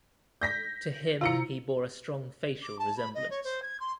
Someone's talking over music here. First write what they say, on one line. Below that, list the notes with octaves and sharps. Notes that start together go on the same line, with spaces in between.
To him he bore a strong facial resemblance.
G6 A#6 B6
C3 E4 F4 A#5 C#7
D6
A5
B5
D#5
C#5
C5
G#6
C6